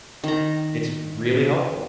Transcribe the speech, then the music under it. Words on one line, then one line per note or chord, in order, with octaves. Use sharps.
It's really helpful.
D#3 A#5